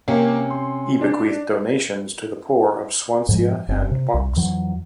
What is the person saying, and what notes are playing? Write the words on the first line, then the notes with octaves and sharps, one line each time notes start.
He bequeathed donations to the poor of Swansea and Box.
C3 A#3 C#4
C6
D4
G#2 F3 G#3
F#1 C4
C3
C2
F2 E3 F#3